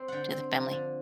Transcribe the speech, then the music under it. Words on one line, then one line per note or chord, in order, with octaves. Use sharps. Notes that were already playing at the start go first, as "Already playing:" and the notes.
to the family.
Already playing: C4
D3 F#5 G5
C4
F3
D3